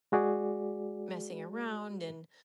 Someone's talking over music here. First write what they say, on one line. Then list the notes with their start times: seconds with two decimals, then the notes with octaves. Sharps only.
messing around and
0.12 G#3 F#4 G#4 D5